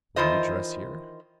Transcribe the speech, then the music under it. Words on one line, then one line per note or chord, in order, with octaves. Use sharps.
"Will you dress here?"
D#3 E3 F4 C5 D#5